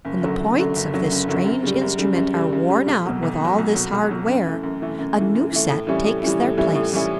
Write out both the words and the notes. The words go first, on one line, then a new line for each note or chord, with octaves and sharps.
When the points of this strange instrument are worn out with all this hard wear, a new set takes their place.
F#1
F#2 D3 F#3
F#1
F#2 D3 F#3
F#1
F#2 D3 F#3
F#1
F#2 D3 F#3
F#2
C#3 G3
F#2
C#3 G3
F#2
C#3 G3
F#2
C#3 G3
B1
B2 F#3
B1
B2 F#3
B1
B2 F#3
B1
B2 F#3
F#2
E3 A3
F#2
E3 A3
F#2
E3 A3
F#2
E3 A3
A2
E3 G3 C#4 E4
A2
E3 G3 C#4 E4
A2
E3 G3 C#4 E4
A2
E3 G3 C#4 E4